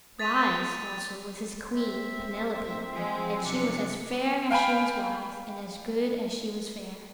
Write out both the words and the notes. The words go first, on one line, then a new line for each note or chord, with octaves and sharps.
Wise, also, was his Queen, Penelope, and she was as fair as she was wise, and as good as she was fair.
D#6 A6 B6 D#7 F7
C4 E5
F3 G#3
C3 F3 F#3 D4 C#7
F5 G5 G#5 B5